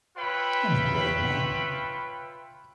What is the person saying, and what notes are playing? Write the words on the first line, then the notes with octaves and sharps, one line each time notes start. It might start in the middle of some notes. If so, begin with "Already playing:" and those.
I'm a grown man.
F4 B4 C#5 E5 G5 B5